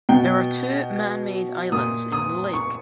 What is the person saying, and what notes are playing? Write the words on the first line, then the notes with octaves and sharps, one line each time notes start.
There are two man-made islands in the lake.
B2 G5
A#2 D#6
D#6
C#6